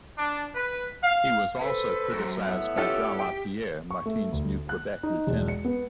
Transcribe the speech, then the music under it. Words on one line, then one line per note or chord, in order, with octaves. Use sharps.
He was also criticized by Jean Lapierre, Martin's new Quebec Lieutenant.
D4
B4
F5
A4 B4 C5
F#2
A2 B3 E5
C#4 F4 G4 A4
G5
C#6
A3
D2
F#6
D#4
E1
C#7
B3